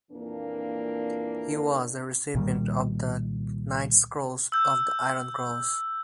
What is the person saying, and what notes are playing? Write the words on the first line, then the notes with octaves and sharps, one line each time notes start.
He was a recipient of the Knight's Cross of the Iron Cross.
F2 A#2 E3 A#3 D4
C2 A#2 D#3 G3
E6 G6